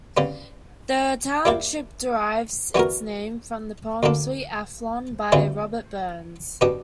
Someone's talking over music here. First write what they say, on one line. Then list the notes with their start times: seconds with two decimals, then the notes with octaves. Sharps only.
The township derives its name from the poem "Sweet Afton" by Robert Burns.
0.17 C#3 G3 B3
1.45 G3 A#3 E4 G4
2.75 E3 G3 B3 F#4 A#4
4.03 D2 D3 A#3 D4
5.32 D2 C#3 G3 B3 E4
6.61 B2 G3 B3 D4